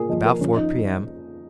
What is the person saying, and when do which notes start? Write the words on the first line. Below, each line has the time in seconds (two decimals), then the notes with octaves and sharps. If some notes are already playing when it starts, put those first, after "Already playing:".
About four p.m.
Already playing: A#2 G#4 A#4
0.09 F3 A#3 D#5
0.26 A#4
0.41 F2 C#4
0.57 D#4